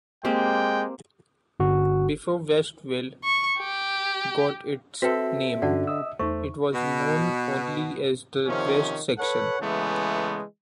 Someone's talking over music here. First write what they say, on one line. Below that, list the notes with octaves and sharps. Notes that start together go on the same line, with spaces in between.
Before Westville got its name, it was known only as the West Section.
G#3 A#3 C4 G4 G5
G1 F#4
C#6
G4
C4 F#4 A4 B4 E5 G5 B6
G2 D3 C#4 F#4 D5 F#5 A5
D#5 D#6 E6
E2 A3 D#4 C5 E5 C#6
B2
C3 D#3 F3 C#4
A4 B4 C#5 F#5
C#3 E3 G#3 A3 B3